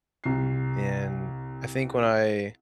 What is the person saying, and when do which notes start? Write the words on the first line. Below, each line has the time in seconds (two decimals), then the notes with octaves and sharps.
And, I think when I
0.24 C2 C7